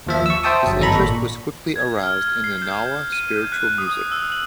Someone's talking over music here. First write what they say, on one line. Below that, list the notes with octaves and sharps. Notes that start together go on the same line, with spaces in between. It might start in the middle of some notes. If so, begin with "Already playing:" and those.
His interest was quickly aroused in the Gnawa Spiritual Music.
D#2 F3 E5
C#6 E6
C5 E5 G5 A5 D#6
G1 F#3
G#1 G#3 A4 A#5 B5
A#2 C#6
G#6
F6
C7
G6
G6
D#7
G6
F#6
D#6
E6
F#7